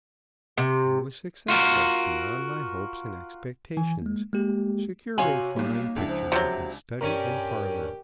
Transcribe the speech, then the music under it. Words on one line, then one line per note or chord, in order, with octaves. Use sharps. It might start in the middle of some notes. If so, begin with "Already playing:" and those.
I was successful, beyond my hopes and expectations, securing fine pictures of his study and parlor.
C3
F4 F#4 A#4
E3 G#5
G#3 A#3
G#3 A#3 G4
C3 F#4 C#5 F5 G#5 C6 F#7
B1 G3 A#3
C#2 D4 E4
F3
C3 F#3
G2 C#4 G4 A#4 G#5